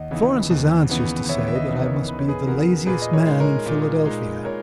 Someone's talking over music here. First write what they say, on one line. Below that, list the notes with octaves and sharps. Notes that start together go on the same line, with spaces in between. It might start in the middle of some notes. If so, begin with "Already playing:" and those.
Florence's aunts used to say that I must be the laziest man in Philadelphia.
Already playing: D#2 D#5 F#5
C#3 E3 B3 D#4
D#2
C#3 E3 B3 D#4
D#2 C#5 E5
E5
B4 D#5
C#3 E3 B3 D#4
A#4 C#5
D#2 B4
C#5
G#4 B4
C#3 E3 B3 D#4 F#4 A#4
A#2 G#4 B4
D#5
A#4 C#5
G#3 D#4
A#4 C#5
A#2
G#3 D#4
A#2 A#4 C#5